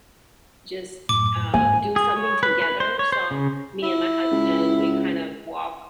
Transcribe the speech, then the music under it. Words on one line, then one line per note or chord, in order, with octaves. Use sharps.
just, uh, do something together, so me and my husband, we kind of walk
F#2 A2 D6
G#2 G#5
G#4
C#5
B4
B4
C5
C#5
C5
C#3
E4
C#2